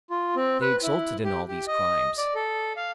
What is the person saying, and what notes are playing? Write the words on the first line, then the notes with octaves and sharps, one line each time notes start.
They exulted in all these crimes.
F4
C4
B4
E4
G4
G4
D#5
D5
A4
F5